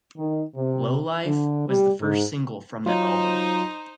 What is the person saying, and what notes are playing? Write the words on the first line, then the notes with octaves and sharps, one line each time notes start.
"Low Life" was the first single from the album.
D#3
C3
D3
G3
G#2
F#3 D#4 F4 C5